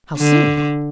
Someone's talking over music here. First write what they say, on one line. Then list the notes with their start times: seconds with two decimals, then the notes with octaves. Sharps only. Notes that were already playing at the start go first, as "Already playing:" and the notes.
"How soon?"
0.18 D3